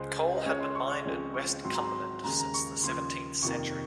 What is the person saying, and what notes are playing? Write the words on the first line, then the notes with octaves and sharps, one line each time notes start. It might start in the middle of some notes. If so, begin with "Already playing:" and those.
Coal had been mined in West Cumberland since the seventeenth century.
Already playing: C#2 C#3 G#3 C5
D#5
C#2 C#3 G#3 C#5
C6
C#6
C#6
C#2 C#3 F3 G#3 C4
C#6
G#2 F#3 C4 C6
A#5
C6
D#2 C#3 G#3 A#5
A#5
C#6
D#2 C#3 F3 C6
F2 C3 D#3 A#3 C#6